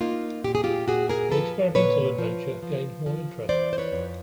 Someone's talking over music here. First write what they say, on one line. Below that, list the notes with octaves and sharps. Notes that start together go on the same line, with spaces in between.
The experimental adventure gained more interest.
A#3 D#4 F4
A#2 G4
G#4
F4 G4
A#2 F#4 G#4
G#4 A#4
F3 A4 B4
A#2 B4 C#5
F3
F3
F3
E3 C5 D5
C5
B4 C#5
F2